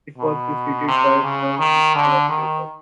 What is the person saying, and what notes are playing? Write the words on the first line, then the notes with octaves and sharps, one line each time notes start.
It was preceded by the Minister of Labour.
B2
C3
C#3
D#3
D3
D#3